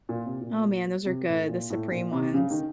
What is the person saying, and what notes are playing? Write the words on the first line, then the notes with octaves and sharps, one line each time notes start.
Oh, man, those are good, the supreme ones.
A#2
C3
A#2
C3
A2
A#2
A2
A#2
C3
C#3
D#3